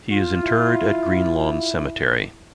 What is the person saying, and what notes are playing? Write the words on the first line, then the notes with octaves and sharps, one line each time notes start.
He is interred at Greenlawn Cemetery.
F4
E4